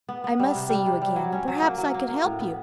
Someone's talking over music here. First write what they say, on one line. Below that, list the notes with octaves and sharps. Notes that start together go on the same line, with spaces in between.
I must see you again; and perhaps I could help you.
B3
B3
G3
C3
G3
C3
G3
F#3
C#4
F#3
A#3
F#3
A#3
A#3
A2
B3